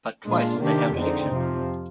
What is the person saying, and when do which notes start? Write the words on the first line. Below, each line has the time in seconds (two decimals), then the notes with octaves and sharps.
But twice they held election.
0.24 A#2 G#3 D4 F4
0.59 C3 D#3 A#3 D4 G4
0.94 F2 D3 G#3 C4 D#4
1.29 F2 C3 F3